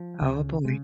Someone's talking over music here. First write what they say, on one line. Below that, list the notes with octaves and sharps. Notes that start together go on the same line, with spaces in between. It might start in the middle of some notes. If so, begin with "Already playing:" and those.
Oh boy.
Already playing: F3
C#2 C#3
C#3 G#3